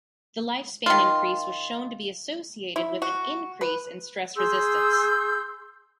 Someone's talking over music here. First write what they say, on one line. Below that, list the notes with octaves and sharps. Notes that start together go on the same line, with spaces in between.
The lifespan increase was shown to be associated with an increase in stress resistance.
D#3 F4
E4
F#4
B4
G#4 C6 E6 G6